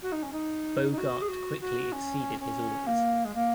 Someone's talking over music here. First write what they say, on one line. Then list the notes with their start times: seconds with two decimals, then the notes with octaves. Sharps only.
Bogart quickly exceeded his orders.
0.02 F#4
0.12 D#4
0.22 C#4
0.32 D#4
0.91 D#4
0.97 F#4
1.21 G#4
1.28 F#4
1.60 F#4
1.92 C#4
2.39 C#4
2.86 A#3
3.24 G#3
3.34 A#3